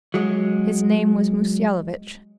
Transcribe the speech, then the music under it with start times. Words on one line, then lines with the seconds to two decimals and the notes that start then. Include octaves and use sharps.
His name was Mussyalovitch.
0.14 F#3 G#3